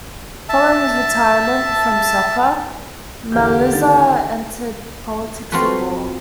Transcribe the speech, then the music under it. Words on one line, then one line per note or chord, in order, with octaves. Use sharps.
Following his retirement from soccer, Maliza entered politics and law.
E5 A5
E2 D3 G4 E5 G6
D#3 A6
C4 F4 F#4 A4 B4